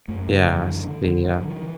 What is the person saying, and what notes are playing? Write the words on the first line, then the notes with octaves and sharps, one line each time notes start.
Yes, the, uh
F#2 A3
C#3 A3
F#2 E3
D3
D3
D3
D3
F#3
D3 E3